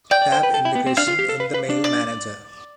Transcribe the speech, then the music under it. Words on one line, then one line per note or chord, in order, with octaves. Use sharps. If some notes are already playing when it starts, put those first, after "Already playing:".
Tab Integration in the mail manager.
D5 G5
D5
C5
B4
A4
E4
B3
C4
D4 F5
F4
G4
A4
B4
B4
D4
D5